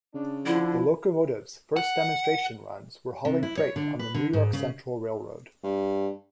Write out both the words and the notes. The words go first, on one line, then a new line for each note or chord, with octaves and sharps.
The locomotive's first demonstration runs were hauling freight on the New York Central Railroad.
C#3 D4
D3 F3 E4
F#5
C3
E4
C#5
D3
B4
D3
G#2
C#3
G2